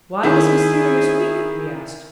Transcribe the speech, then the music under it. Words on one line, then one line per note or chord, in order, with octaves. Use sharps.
"Why this mysterious week?" we asked.
D#3 E4 G#4